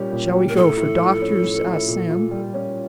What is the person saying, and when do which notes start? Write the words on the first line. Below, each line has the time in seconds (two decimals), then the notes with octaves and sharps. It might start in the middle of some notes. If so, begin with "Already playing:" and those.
"Shall we go for doctors?" asked Sam.
Already playing: A#2 G3 C#4 G4
0.12 A#2
0.34 G4
0.49 A#4
0.56 A2 A4
0.77 E4
1.00 F3
1.22 C#4
1.44 A2
1.66 E4
1.88 A#2
2.10 F4
2.31 G3
2.54 C#4